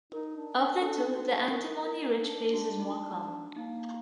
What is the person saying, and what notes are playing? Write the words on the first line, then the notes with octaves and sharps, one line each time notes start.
Of the two, the antimony rich phase is more common.
D#4 A#4
D4
D4
D4 A4
D4 D#4
C4
F#4
D4
G4
A#4
A#4
A#4
D#4
D4 D#4
D4 F#4
D#4
D4 F#4
A#3 D#4